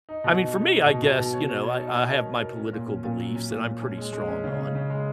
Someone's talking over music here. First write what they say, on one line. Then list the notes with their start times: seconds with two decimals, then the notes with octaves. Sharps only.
I mean, for me, I guess, you know, I I have my political beliefs that I'm pretty strong on.
0.09 D#4
0.24 B2
0.40 D#4
0.56 D#4
0.71 D#4
0.86 B2
1.02 B2
1.17 B2
1.33 C#5
1.49 C#5
1.64 C#5
1.80 D#4
1.95 C#5
2.11 A#4
2.26 C#5
2.42 A#4
2.57 C#4
2.73 A#2
2.88 C#4
3.04 A#2
3.20 F#3
3.35 C#4
3.51 A#2
3.66 A#2
3.82 C#4
3.97 G#3
4.13 G#3
4.28 C#4
4.44 C#3
4.59 C#4
4.75 C#3
4.90 G#3